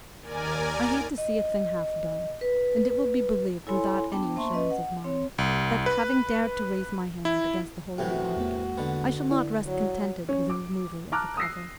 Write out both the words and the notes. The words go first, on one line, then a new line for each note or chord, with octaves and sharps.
I hate to see a thing half done; and it will be believed without any assurance of mine, that, having dared to raise my hand against the Holy Ark, I shall not rest contented with the removal of the cover.
D#2 A#4 D5 G#5
D#5
B4
E4 A4 C#5 G#5 B5 C6
B3 D4 G5 A5 B5
A#3 C5 E5 A5 C6 C#6
C#4 B4 D#5
F#5
C4 C#5
C2
B4
E4
A2 C3 E3 F#4 G4
E2 G#3 A#3
D3 B3
E4 D5
F#3
C#4
D6
A5 A#5 D6 F6 F#6
D#6 E6 A#6 C7